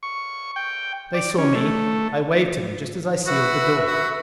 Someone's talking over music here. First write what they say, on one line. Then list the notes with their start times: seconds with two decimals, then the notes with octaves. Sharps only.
"They saw me--I waved to them just as I sealed the door."
0.03 C#6
0.56 G5
1.14 D5
1.38 C#4
1.55 A3
3.27 F#4 B4 E5
3.87 F#4